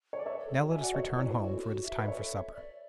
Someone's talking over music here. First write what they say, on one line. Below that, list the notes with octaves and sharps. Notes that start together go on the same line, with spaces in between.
Now let us return home, for it is time for supper.
C#5
D5
B4 C#5 E5
A4
G#4
F#4
F#4 E5 G#5
D5 F#5
C#5 E5
E4 C#5
B4
F#4 A4 C#5
E4
F#4
E5
B4
A4 C#5
D5